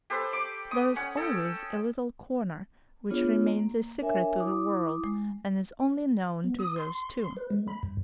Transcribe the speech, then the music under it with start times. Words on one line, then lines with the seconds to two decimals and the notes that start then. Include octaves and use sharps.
There's always a little corner which remains a secret to the world and is only known to those two.
0.10 G4 A4 B4 C5
0.33 D6
0.71 D#6
0.96 C#4 F#5
1.17 A4 G5
3.10 B3 D4 F4 G#4 C#5
3.48 A#3
4.01 D4 A#4 C#5 E5 G#5
4.40 E4 D6 D#6
5.04 G#3
6.44 B3
6.59 D#6
6.76 C6
7.20 C6
7.37 B4
7.50 G#3
7.68 B5
7.83 G2